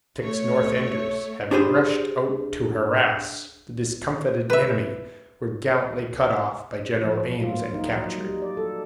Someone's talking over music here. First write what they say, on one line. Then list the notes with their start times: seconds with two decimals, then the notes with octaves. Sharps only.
Six North-Enders, having rushed out to harass the discomfited enemy, were gallantly cut off by General Ames and captured.
0.21 A3 C#5
1.51 D4 G4 G#4 B4 C5
4.50 B4 E5
7.04 F3
7.26 F#3
7.42 F4
7.54 A#3
7.75 D#4
7.96 F#3
8.18 G3
8.42 D5
8.57 A4